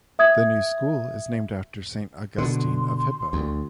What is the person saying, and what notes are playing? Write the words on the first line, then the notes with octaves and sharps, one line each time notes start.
The new school is named after Saint Augustine of Hippo.
E5 D#6 G#6
B2 D3 C6
D2